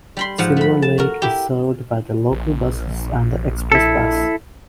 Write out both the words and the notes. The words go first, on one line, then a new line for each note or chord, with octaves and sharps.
Silver Lake is served by the local buses and the express bus.
G3 B5 C6
G#2 F3 F#5
A3 B5
A5
F#4 A#4
E4 G4
A#1
E4 A4